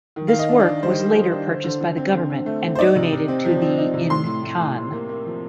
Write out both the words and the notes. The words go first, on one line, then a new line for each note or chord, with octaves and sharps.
This work was later purchased by the government and donated to the in Cannes.
D#3
D#3 F5
D#5
D4
D5
D4
G3 C5
G3
D#3
D4
D3
D3
D3
C4
D3
D3
A3
C4
C5
D#4 D5
C3
C3
C4
F3
C4
D#4
C3
A2 C6
A2
A2
A2
A2
A#3
A#3
F3